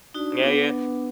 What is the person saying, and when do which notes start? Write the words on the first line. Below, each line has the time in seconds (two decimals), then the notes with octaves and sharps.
Yeah, yeah.
0.14 D4 D#4 F#4
0.43 B3 D4